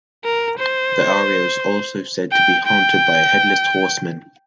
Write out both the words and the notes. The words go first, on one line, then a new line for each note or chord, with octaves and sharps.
The area is also said to be haunted by a headless horseman.
A#4
C5
G5
G5